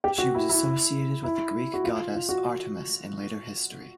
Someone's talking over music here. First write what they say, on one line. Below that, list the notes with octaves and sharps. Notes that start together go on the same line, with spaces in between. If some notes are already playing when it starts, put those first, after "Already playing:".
She was associated with the Greek goddess Artemis in later history.
G4
F#4
E4
E4
E4
F#4
F4
F4
F#4